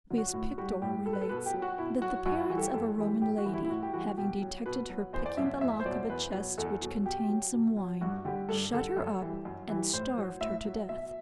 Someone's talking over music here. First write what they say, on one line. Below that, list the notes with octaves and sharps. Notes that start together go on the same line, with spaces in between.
Fabius Pictor relates, that the parents of a Roman lady, having detected her picking the lock of a chest which contained some wine, shut her up and starved her to death.
D3 F#3
F#4
A2 F#4
G3 F#4
A2 G4
G3 A4
B4
A4
B2 B4
G4
F#3
F#4
B2 E4
F#3 F#4
F#2 F#4
E4
E3 G3 F#4
A4
G4
F#2 A4
E3 G3
A2 G4
F#4
E3 G3
E4
E4
A2 F#4
G4
E3 G3 F#4
B2 G4
F#3
B2 B4
F#3
E2 C5
D5
B2 F#3 E5
E2 E5
C5
B2 F#3 D5
E2 B4
B2 F#3
E2 A4
B2 F#3
B2 G4
F#3
B2
F#3
G2 F#4
D3 G3 G4
G2 A4
D3 G3 A4
F#2
E3 G3
F#2
E3 G3
A2 C5
F#3
A2 E5
F#3
B2 E5